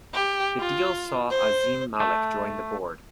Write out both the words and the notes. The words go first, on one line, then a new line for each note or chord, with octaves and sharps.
The deal saw Azeem Malik join the board.
G4
F4
C5
A3